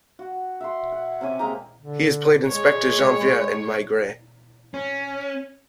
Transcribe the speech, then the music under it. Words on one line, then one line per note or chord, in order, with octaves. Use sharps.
He has played Inspector Janvier in Maigret.
F#4
E5 F#5 C6
F#5
C3 C#4 G#5 D6
G#3 A#3 G4 A#5
D3
G#3 C#5
C#4